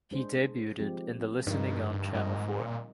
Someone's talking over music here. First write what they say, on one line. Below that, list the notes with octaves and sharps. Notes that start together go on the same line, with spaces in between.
He debuted in The Listening on Channel Four.
G#3 D4 G#4 C5
F3 G#3 C4 G4
G2 D3 F3 G#3 D#4 A#4
G2 G3 C4 F4 A#4 D#5
G#2
A#2